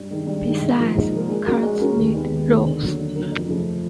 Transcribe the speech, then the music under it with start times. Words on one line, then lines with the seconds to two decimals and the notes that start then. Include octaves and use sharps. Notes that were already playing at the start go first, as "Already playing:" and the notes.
Besides, carts need roads.
Already playing: G2
0.10 D#3 G#3
0.27 G2
0.44 D#3 G#3
0.60 G#2
0.78 F3 A#3
0.94 G#2
1.12 F3 A#3
1.29 G#3
1.46 C#4 F#4 A#4
1.63 G#3
1.79 C#4 F#4 A#4
1.97 D#2
2.13 D#3 G#3 B3
2.30 D#2
2.47 D#3 G#3 B3
2.64 D3
2.81 F#3 A#3
2.98 D3
3.15 F#3 A#3
3.32 F2
3.48 C#3 F3 A3